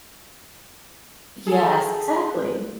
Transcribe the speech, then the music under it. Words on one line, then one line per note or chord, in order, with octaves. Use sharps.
Yes, exactly.
G#4 A4